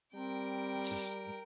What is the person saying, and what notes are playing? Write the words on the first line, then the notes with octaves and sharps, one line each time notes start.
to s
G3 C4 A#4 G5